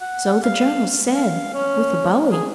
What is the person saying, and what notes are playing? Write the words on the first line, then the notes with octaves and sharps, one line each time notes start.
"So the journals said; with a bowie!"
F#5
F5
F5
C#4
G#4